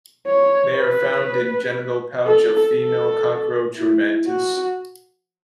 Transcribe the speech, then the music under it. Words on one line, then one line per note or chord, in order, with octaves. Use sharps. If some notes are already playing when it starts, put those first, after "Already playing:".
They are found in genital pouch of female cockroach or mantis.
C#5
B4
A4
A4
E4
F#4